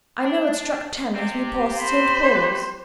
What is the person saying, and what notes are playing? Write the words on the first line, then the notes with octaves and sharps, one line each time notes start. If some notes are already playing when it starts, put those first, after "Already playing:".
"I know it struck ten as we passed St. Paul's."
D4
C4 G4
C5 B5